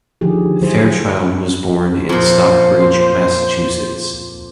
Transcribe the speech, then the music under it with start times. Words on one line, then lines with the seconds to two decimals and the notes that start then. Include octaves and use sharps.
Fairchild was born in Stockbridge, Massachusetts.
0.21 D3 D#3 F3 G4 G#4
0.61 D3 F#3 E4 F#4 G#4 C5
2.09 F2 A#2 C5